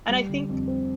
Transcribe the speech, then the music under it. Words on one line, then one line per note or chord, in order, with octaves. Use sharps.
And I think
G3
D3
F2
C4